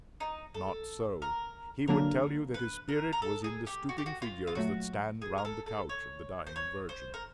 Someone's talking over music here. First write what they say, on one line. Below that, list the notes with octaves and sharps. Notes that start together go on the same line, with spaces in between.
Not so; he would tell you that his spirit was in the stooping figures that stand round the couch of the dying Virgin.
D#4
A4
A#4
D3 F#3 A#3 D4 A#4
B4
A#4
A#4
A4
G#4
G4
F#4
G4
F#4
F4
F4
A#2 F#3 A3 F#4
G#4
A#4
A4
A4
C#5
C5
C#5
C5
A#4